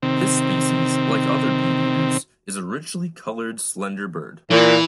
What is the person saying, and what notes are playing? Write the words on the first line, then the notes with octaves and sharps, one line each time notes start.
This species, like other bee-eaters, is a richly-coloured, slender bird.
C3 D#3 C4
A#2 E3